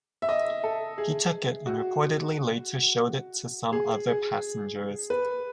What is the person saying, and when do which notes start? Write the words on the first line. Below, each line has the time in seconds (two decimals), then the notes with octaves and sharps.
He took it and reportedly later showed it to some other passengers.
0.22 E5
0.29 D#5
0.64 A4
0.98 G#4
1.66 F#4
3.72 G#4
4.07 G#4
5.10 B4